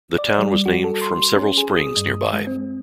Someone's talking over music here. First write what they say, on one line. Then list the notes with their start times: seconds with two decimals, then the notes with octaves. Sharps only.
The town was named from several springs nearby.
0.18 D5
0.39 G3
0.66 F#4
0.84 A4
1.02 C6
1.36 C#4
1.58 G#4
1.76 D#6
1.97 G2
2.33 G#3
2.47 C4